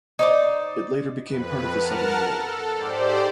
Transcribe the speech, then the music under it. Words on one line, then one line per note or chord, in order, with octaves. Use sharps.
It later became part of the Southern Railway.
D#4 C5 D5
F2 B4
A#4 F#5 A5 F6
A4
G#2 G4 C5 D5